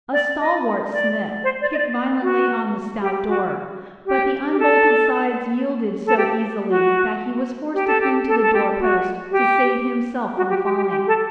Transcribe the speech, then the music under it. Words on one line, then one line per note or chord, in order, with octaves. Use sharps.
A stalwart smith kicked violently on the stout door; but the unbolted sides yielded so easily that he was forced to cling to the door-post to save himself from falling.
D5
D#5
D5
C5
D5
D#5
D5
F#4
G4
F#4
G4
G4
A4
A4
G4
F#4
G4
A4
G4
A4
A4
G4
F#4
G4
F#4
G4
G4
G4
G4
A4